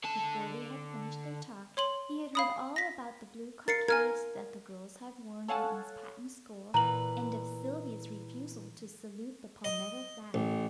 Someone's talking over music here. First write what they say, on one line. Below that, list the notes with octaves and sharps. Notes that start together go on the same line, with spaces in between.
Before they had finished their talk he had heard all about the blue cockades that the girls had worn at Miss Patten's school, and of Sylvia's refusal to salute the palmetto flag.
D3 A5
C#5 C6 F#7
F5 B5 D#6
A#6 B6
A#4 A6 C7 C#7
A#4 G#5 F6 G#6
A4 C#5 F5 F#5 G#5 A5
A#2 E3 B4 A#5 F#7
D#5
A1